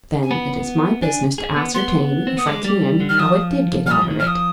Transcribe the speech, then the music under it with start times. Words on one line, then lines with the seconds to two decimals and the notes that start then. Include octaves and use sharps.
Then it is my business to ascertain, if I can, how it did get out of it.
0.23 G#5
0.31 B3 B5
1.02 D4 G#5
1.38 G#4
1.56 B3
1.74 B3 C6
2.27 C4
2.37 B3 D#6
2.47 G#3 D6
2.64 G3
3.00 D3
3.09 D#3 F6
3.19 F3 D#6
3.86 F6
3.90 G3 D#6
4.02 F3
4.10 D#3
4.20 F3 F6
4.27 D#6